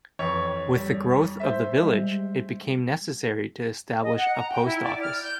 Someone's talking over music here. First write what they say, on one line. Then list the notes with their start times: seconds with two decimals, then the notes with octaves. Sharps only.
With the growth of the village, it became necessary to establish a post office.
0.19 F2 E3 C#5
0.77 G3
1.40 C5 E5
1.83 G3 G#3
4.01 D#5
4.16 F#5
4.34 A#5
4.49 G5
4.64 E4
4.82 D5
5.00 F6
5.22 G6